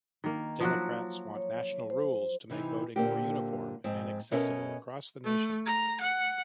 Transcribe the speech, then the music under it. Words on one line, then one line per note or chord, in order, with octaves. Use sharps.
Democrats want national rules to make voting more uniform and accessible across the nation.
D#3 A#3
F3 F#3 F#4
C#5
C5
C3 E3 D#4
A#2 D3 A#3 C4 G4
F2 G#2 C4
B2 C#4 A4 A#4 D#5 E5
A3
A#5
F#5